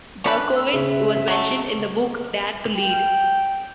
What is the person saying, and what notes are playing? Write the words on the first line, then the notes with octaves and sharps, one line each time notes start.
Berkowitz was mentioned in the book Dare to Lead!
C#4 D4 B4
E6
C#3 E5
F#3 A3
G5